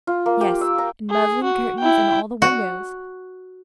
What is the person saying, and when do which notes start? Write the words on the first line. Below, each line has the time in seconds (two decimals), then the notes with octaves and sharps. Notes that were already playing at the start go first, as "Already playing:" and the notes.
Yes, and muslin curtains in all the windows.
0.07 F4
0.26 A#3
0.41 G4
0.61 E6
0.78 A#5
1.10 G#4
1.44 F#4
1.80 E4 G5
2.42 F#4